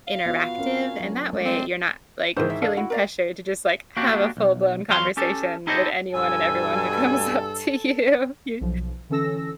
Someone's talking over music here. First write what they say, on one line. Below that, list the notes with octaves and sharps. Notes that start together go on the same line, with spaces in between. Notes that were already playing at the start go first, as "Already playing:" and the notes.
interactive, and that way, you're not, like, feeling pressured to just, like, have a full blown conversation with anyone and everyone who comes up to you you.
F5
B3 F4 F#4
C#4 A#4
F#3 D4
G#3 A3 D5
C4
G#2 D#3 E3 A#4 C5
E5
D4 A4 F5
E4 F#4
A#4 D5 F5
A#3 B3 D4 F#4 G4
B1
E2 F#3 F5 C6
C#4 G4 A4
D#4 E4 G4 A4 C5 D#5
G2 B2 A4 G#5 E6
B1 F3
D3 E3 C#4 A4 E6 A#6